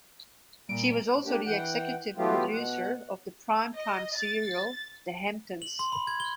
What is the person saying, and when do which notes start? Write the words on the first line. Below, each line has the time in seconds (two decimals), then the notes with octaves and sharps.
She was also the executive producer of the primetime serial "The Hamptons".
0.69 A#2 G3 D7
1.23 A#3 D4 G4
1.47 E3 F#5 G5
2.17 E3 F#3 A3 B3 F4 G4
2.53 B2 F#5
3.75 D#5
4.17 A6
5.62 F#7
5.79 C6
5.92 B5
6.07 G#6
6.20 G7